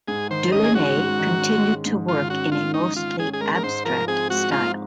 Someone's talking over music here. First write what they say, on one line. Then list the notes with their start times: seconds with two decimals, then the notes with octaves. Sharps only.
Delaunay continued to work in a mostly abstract style.
0.08 G#2 G#4
0.30 D#3 C5
0.52 C#4 D#5
0.64 G#4
0.75 G#3 F#4
0.97 G#2
1.19 D#3
1.42 C#4
1.63 G#3
1.86 G#2
2.08 D#3 F4
2.30 C#4 F#4
2.52 G#3 F4
2.74 G#2 D#4
2.96 D#3 F4
3.19 C#4 G#4
3.33 G#4
3.40 G#3 A#4
3.55 A#4
3.63 G#2 C5
3.85 F3 A#4
4.07 C4 G#4
4.30 G#3 F#4
4.52 G#2 F4